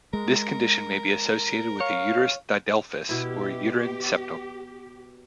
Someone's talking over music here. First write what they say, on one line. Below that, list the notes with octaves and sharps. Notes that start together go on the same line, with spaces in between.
This condition may be associated with a uterus didelphys or a uterine septum.
G#3 A#4
C#5 F5
B2 E4 G4